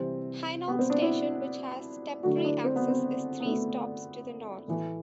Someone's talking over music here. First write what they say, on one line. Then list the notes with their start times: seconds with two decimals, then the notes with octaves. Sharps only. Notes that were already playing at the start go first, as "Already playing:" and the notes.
Hainault station which has step-free access is three stops to the north.
Already playing: C3 E3 G3 C4
0.68 B3
0.79 C4
0.90 D4
1.02 E4
2.23 D3 F#3 A3 F#4
2.37 E4
2.45 D4
2.64 C4
2.76 B3
2.88 C4
3.40 B3
3.46 A3
4.68 A2 E3 A3